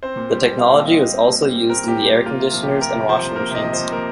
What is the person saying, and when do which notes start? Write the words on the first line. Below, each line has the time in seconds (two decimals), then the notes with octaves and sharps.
The technology was also used in air conditioners and washing machines.
0.03 C4 C5
0.17 A#2
0.31 G3
0.44 A#2
0.58 C4 F5
0.72 A#2
0.86 G3 D#5
1.00 A#2
1.14 C4
1.27 A#2
1.41 G3
1.55 A#2
1.69 C4 A#4
1.83 A#2 G4
1.97 G3
2.07 A#2 G4
2.26 A#3 F4
2.39 C3
2.53 F3
2.63 C3 G4
2.80 A#3 A#4
2.94 C3
3.09 F3 C5
3.23 C3
3.36 A#3 A#4
3.51 C3 D#5
3.65 F3
3.73 C3 C5
3.92 A#3 A#4